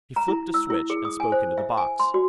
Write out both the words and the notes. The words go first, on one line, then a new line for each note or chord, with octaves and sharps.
He flipped a switch and spoke into the box.
A#5
E4
E6
E4
G#4
D#6
G#5
C5
E5
G#5
C6
F#4